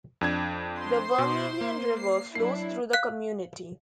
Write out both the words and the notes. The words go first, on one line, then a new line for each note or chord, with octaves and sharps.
The Vermillion River flows through the community.
F2 D4 G#6
C5 C6
B2
A#3
C7
F#3 D4 E4 C7
F5 F#6